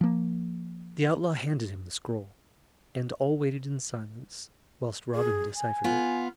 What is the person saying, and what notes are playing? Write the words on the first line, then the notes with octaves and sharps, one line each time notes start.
The outlaw handed him the scroll, and all waited in silence whilst Robin deciphered it.
F3 A#3
G#4
G#5
B3 F4